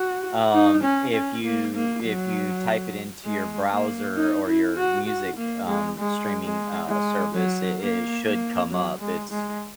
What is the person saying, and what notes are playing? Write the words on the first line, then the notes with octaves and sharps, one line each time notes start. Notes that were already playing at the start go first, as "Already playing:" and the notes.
Um, if you if you type it into your browser or your music, um, streaming, uh, service, it it should come up. It's
Already playing: F#4
D#4
C#4
C#4
A#3
A#3
F#3
G#3
A#3
D#4
E4
F#4
F#4
A#3
G#3
G#3
G#3
G#3
F#3
A#3
A#3
F#3
G#3
G#3